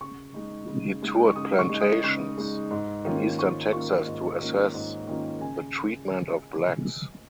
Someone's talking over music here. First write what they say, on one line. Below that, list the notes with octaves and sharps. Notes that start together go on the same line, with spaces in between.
He toured plantations in eastern Texas to assess the treatment of blacks.
C#3 C#6
G#3 D#4
C#3
G#3 D#4
C#6
C#3 D#6
C#6
G#3 D#4
D#6
C#3 C#6
G#3 D#4
G#2
D#3 A#3 C#4 F4
G#2 C#6
D#3 A#3 C#4 F4 C#6
G#2
D#3 A#3 C#4 F4
G#2
D#3 A#3 C#4 F4
C#3 G#5